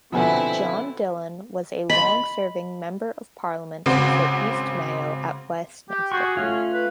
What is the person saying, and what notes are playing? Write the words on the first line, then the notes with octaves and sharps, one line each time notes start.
John Dillon was a long-serving Member of Parliament for East Mayo at Westminster.
B2 D3 F3 B3 C4 E4 G#5
D#5 B5 C6
G#1 C#3 C4 F#4
G4
F#4 G#4 C#6
A3 C#4 F4
B4